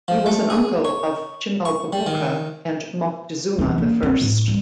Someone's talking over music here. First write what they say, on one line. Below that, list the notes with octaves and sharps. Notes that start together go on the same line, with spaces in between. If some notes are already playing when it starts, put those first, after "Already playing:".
He was an uncle of Chimalpopoca and Moctezuma the First.
F3
A3
G#4
C#5
C#6
G3
D#3
E3 C4
A#3
C4
A2
G3